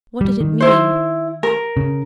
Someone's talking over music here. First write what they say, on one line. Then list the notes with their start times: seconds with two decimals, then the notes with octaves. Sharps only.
What did it mean?
0.21 G3
0.41 D#3
0.61 E4 C5
1.43 A#4
1.77 C#3